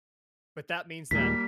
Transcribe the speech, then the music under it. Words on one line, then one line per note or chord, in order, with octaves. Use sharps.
but that means that
D#2 A#2 G3 G#3 A#3 B6